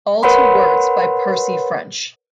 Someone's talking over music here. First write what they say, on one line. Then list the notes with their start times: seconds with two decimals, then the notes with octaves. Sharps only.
All to words by Percy French.
0.23 A#4 B4 C#5 F#5 B5 C6